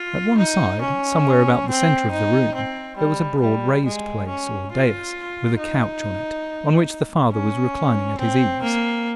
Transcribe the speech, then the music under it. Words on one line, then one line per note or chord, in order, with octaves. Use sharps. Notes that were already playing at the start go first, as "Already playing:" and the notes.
At one side, somewhere about the center of the room, there was a broad raised place, or dais, with a couch on it, on which the father was reclining at his ease.
Already playing: F4
D#4
C#4
C4
D#4
C4
G3
G3
G#3
C#4
F4
D#4
C#4
C4
A#3